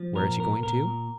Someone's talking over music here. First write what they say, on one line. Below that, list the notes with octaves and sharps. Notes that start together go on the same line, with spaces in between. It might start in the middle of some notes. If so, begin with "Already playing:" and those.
Where is he going to?
Already playing: F3
A#2 A#4
A#2 A#4
A#2 A#4
A#2